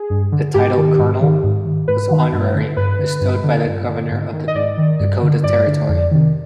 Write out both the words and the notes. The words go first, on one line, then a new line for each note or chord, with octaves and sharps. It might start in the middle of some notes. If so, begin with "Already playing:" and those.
The title "Colonel" was honorary, bestowed by the governor of the Dakota Territory.
Already playing: G#4
G2
D3
G#2 G4
D#3
G#2
D#3
G#2
D#3
G#2 B4
D#3
G2
D3
G2 B4
D3
G2
D3
G2
D3
G#2
D#3
D#5
G#2 D5
D#3
G2
D3
G2 D5
D3
F2
C3 D#3